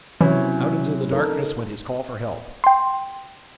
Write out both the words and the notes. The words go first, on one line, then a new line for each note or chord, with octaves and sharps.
Out into the darkness went his call for help.
C3 E3 F#3 C#4 E4 C#5
D#4 A4 A#4
G5 C6